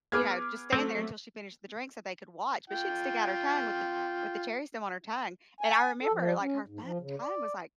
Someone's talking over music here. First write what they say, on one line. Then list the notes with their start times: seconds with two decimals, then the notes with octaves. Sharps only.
you know, just stand there until she finished the drink so they could watch, but she'd stick out her tongue with the with the cherry stem on her tongue, and I remember, like, her fu tongue was, like,
0.12 B3 G#4 B4 D6 F6 G#6
0.73 F#3 A3 C4
2.70 F4 G5
5.61 G#5
6.02 A4
6.14 F3
6.41 C#4
6.68 G#2
6.83 F3
7.01 C#3
7.19 D5